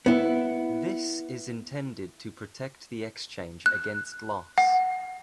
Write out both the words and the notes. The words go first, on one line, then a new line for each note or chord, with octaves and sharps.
This is intended to protect the exchange against loss.
B3 E4
F#6
F#5